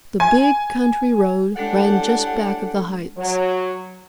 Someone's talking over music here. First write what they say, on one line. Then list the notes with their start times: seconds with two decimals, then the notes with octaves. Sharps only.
The big country road ran just back of the heights.
0.20 G#5
1.57 A2 G#3 D4 G4 A4 F#5
3.18 F#3